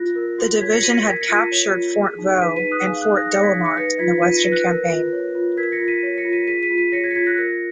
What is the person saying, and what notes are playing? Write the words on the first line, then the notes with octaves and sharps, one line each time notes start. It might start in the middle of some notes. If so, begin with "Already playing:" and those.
The division had captured Fort Vaux and Fort Douaumont in the Western Campaign.
Already playing: F4 F#6 A#6
A#4
F#4
C#5 G#6 B6
A#6 C#7
F#4 B6 D#7
A#6 C#7
A#4 G#6 B6
A#6 C#7
F4
B6 D#7
C#5
F4
G#4
D#4
B4 B6 D#7
B6 D#7
D#4
D#6 F#6
G#4 F5 G#5
D#6 F#6
D#4
F#6 A#6
C#5 A#6 C#7
G#6 B6
D#4
A#6 C#7
B4 A#6 C#7
F4 G#6 B6
F4 B6 D#7
A#6 C#7
B4
F#6 A#6
A#4
F4
C#5
F4
A#4 G#6 B6
A#6 C#7
F4
B6 D#7
C#5
A#6 C#7
F4
B6 D#7
G#4 B6 D#7
B6 D#7
F4
B6 D#7
C#5 A#6 C#7
G#6 B6
C#7
F4 G#6 B6
F#6 A#6
A#4 A#6 C#7